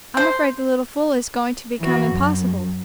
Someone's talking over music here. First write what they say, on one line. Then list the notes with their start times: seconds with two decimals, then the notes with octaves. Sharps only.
I'm afraid the little fool is going to become impossible.
0.17 C5
1.79 E3 F#4
2.09 F#2